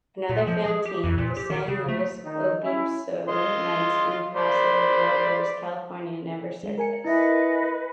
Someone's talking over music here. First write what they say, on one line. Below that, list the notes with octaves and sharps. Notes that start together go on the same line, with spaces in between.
Another failed team, the San Luis Obispo Knights in Paso Robles, California, never surfaced.
A#2
F3
G#4
G4
F2
A#2
G4
D#3
C#3
A3
D#3 D#4
C#4 E4
F4 D#5 C6
C5 D5 B5
G#3
A#4 G#5 C#7
E4 B4 D#5 E5